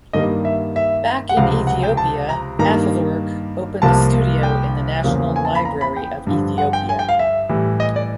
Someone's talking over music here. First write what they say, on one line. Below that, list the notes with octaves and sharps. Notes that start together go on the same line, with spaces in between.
Back in Ethiopia, Afewerk opened a studio in the National Library of Ethiopia.
G2 D#3 G3 A#3 D#5
E5
E5
F#5
C#2 C3 F3 F5
F#5
G5
A5
A#5
G2 D#3 G3 A#3 A#5
C2 C3 F3 A#3 A5
G5
E2 C#3 F3 A#3
G#5
A5
B5
A#5
B5
G5
G2 D3 F3
F#5
G5
G#5
G5
F5
E5
A2 E3 G3
D#5
D5